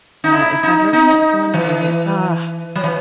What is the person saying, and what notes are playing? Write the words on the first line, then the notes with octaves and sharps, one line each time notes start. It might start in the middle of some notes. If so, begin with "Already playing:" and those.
Uh, if I've ever met someone amazing ah,
D#4
E4
D#4
D#4
E3
F#3
E3